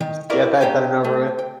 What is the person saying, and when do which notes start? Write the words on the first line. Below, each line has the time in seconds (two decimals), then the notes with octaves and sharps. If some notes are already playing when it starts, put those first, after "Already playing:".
Just get that done and over with.
0.01 D#3
0.30 E4 F#4 A#4 B4 D5
0.60 D4 D#4 G4 C5 G5 G#5
1.04 A3
1.39 G5